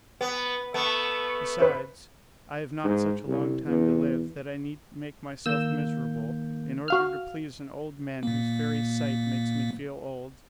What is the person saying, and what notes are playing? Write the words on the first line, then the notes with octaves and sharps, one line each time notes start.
Besides, I have not such a long time to live that I need make myself miserable in order to please an old man whose very sight makes me feel old.
B3
A3 B3
B4 C5
G#2
C2
E2
D#3 A#3 E6 G6
F#4 F5 F6
A#2 A#3